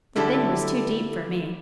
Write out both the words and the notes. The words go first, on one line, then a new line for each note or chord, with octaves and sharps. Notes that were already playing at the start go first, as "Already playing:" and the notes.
The thing was too deep for me.
D3 G3 E4 G4 A4